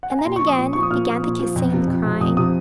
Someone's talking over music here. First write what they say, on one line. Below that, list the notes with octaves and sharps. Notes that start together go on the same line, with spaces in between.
And then again began the kissing and the crying.
F#5
G#5
A#5
A#2 C6
C#6
F3
D#6
A#2
F3 C#6
D#6
A#2 F6
F3
A#2
F3
F2
C3 F3
F2
C3 F3
F2 D#6
C3 F3 D#6